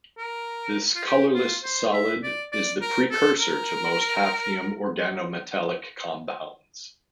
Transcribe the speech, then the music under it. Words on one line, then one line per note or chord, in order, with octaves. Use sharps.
This colourless solid is the precursor to most hafnium organometallic compounds.
A#4
F4
G4
F4
C5
E5
D5
D5
A#4
A4
A#4